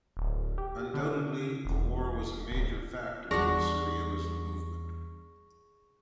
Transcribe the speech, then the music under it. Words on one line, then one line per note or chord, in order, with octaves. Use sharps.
Undoubtedly, the war was a major factor in the surrealism movement.
D1
G4
D3
E1
D1
E2 G3 D4 F#4 G#4 C#6 A#6